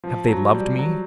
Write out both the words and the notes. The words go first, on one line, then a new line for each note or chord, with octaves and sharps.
Have they loved me?
F3
F#3
G3
F#3